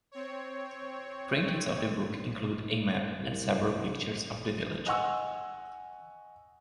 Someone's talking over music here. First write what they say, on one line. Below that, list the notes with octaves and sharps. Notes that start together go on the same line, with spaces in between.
Printings of the book include a map and several pictures of the village.
C4 C#5
C2
D#5 F#5 G#5 C#6 E6